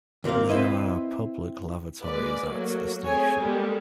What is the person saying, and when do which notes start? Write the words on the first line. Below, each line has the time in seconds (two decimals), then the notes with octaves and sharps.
There are public lavatories at the station.
0.24 D#2 A#2 C4 A#4 F5
0.49 C4 E4 B4 D#5
2.02 G#3 A#3 B4 D5
2.48 F#3 A3 A#3 F#4
3.03 A3 C4 G#4 C#5 G#5
3.39 G3 G#3 A#3 B3 G4 A4